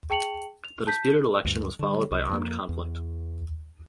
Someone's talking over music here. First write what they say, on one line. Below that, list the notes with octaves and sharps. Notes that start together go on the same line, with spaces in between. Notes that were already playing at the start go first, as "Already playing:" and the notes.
The disputed election was followed by armed conflict.
G#4 G5 A5 C#7 F7 F#7
F7
A5 G6 B6
D2 G2
D3 G3
C2
F2 A#3
E2